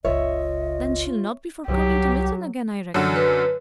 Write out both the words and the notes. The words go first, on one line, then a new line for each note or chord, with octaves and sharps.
'Then she'll not be for coming to Milton again, I reckon.'
F#1 C#2 F4 C#5 D#5 E5
C2 F#3 G4
F#2 D3 F#4
B4